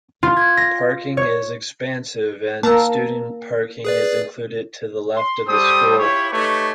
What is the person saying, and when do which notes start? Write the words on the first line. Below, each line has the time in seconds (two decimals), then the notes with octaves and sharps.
Parking is expansive and student parking is included to the left of the school.
0.23 F4
0.37 G#6
0.57 A#6
1.17 C#5
2.63 A#3 A5 A#5 E6
3.85 G#4 B4 D5
5.16 C6
5.47 G3 G4 A4 C5 D#6
5.99 E4 F4 G4 C#5
6.31 A3 D#4 G4 B4 C#5 C#6